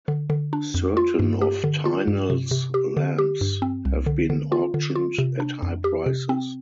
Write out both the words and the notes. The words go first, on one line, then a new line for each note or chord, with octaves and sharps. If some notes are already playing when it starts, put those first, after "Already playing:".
Certain of Tynell’s lamps have been auctioned at high prices.
D3
D3
D4
F2
F4
G2
G4
D3
F4
G2
C3
C3
G4
D3
G4
G2
C4
C2
D3
D3
F4
D3
F4
C3
D4
F2
G4
C3
C4